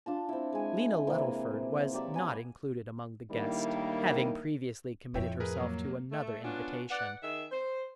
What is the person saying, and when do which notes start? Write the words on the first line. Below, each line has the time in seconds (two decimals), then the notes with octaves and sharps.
Lena Luddleford was not included among the guests, having previously committed herself to another invitation.
0.06 D4 F4 A5
0.29 C4 E4
0.52 G#3 G#5
1.07 C3 E3 A#3 C4
1.93 F#3 G4 D5 E5
2.14 B3 G#5 B5
3.32 A2 D#3 G3 A#3 D4 E4
5.14 F2 A2 C#5 E5 G5
5.40 G#4 A#4 B4
5.57 F#3 A#3
6.11 A3
6.43 B3 C#4 D4 F4 F#4
6.90 B4 D5 F#5
7.22 D#3 G#4 E5
7.51 C5